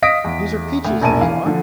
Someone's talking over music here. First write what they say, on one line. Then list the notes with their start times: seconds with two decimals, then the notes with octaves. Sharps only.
These are peaches, these are.
0.02 D#5 F5 D#6 A#6 B6 D7
0.24 E2
0.85 D2
1.01 E1 A#1 G#5 A5 D#7
1.21 E3 F5
1.46 D3 F3